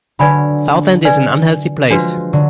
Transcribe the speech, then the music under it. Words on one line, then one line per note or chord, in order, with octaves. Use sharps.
South End is an unhealthy place.
D3 F#3 B4 D5 G#5 B5
B4 D5 G#5
F3 G#3 D4 F#4 B4
D3 F#3